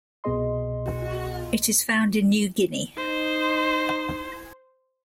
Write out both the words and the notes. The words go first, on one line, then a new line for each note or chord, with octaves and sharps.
It is found in New Guinea.
C2 B2 B3 G#4 D#5 C6
D#4 C5